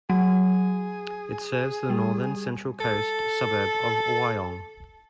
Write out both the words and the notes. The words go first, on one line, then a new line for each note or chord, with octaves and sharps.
It serves the northern Central Coast suburb of Wyong.
F#3 G#4
G3
A4